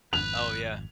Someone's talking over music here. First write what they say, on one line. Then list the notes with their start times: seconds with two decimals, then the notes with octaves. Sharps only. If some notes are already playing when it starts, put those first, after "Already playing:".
Oh, yeah.
0.13 G#1 F2 B4 F7